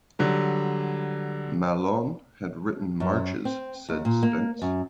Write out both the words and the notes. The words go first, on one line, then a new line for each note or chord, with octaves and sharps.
"Mahlon had written marches," said Spence.
D3 F#3 G3
F#2
C4
D#2
A#2
A#3
F#2